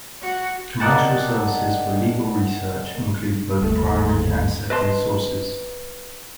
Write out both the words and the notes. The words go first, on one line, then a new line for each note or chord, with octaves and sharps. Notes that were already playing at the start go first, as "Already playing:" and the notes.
Commercial services for legal research include both primary and secondary sources.
F#4
A#4 D5 D#5 F#5 G5 A5
G1 D#2 A3
B4 D#5 A5 C6